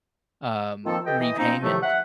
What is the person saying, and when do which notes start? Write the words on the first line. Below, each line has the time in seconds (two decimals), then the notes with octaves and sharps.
um, repayment.
0.85 D#3 F3 A#3 C4 F4 A4
1.06 G4 A4 B4 D#5 G5
1.19 E3 D#5
1.38 F3 A#3 C4 C#4 D#4
1.62 A2 C3 D#3 F3 F#3 A3
1.82 E5 F#5